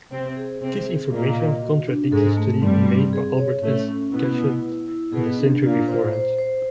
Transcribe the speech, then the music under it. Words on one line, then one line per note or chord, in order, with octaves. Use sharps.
This information contradicts the study made by Albert S. Gatschet in the century beforehand.
C3 C4 C5
G#4
C3 C4 G#4
G#4
A#2 A#3 D#5
D#5
F#4
D4
G#2 G#3 A4
A3
G2 G3 C4
C4
G#4
C#5
A2 A3 C#4
C#4
B2 B3 E4
E4
E4
E4
B2 B3 G#4
D4
A#2 A#3 F4
C5
C5
C5